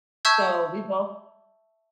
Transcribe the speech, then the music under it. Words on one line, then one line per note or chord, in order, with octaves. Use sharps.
so we both
E5 A5 C#6 E6 G6 G#6